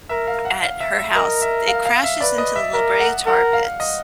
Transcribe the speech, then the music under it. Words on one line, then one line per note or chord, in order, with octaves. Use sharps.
at her house. It crashes into the La Brea Tar Pits,
A#4 E5
F5
F#5
F5
E5
E5
A#4 D#5
E5
F5
F5
E5
B4 D5
D#5
E5
A#4 E5
F#5
A#4 F#5
F5
D#5